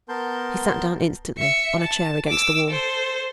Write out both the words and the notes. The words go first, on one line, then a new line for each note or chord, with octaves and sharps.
He sat down instantly, on a chair against the wall.
B3 A#4 A5 C6 G6
E5 C#7
A5
D6 E6
A4 C5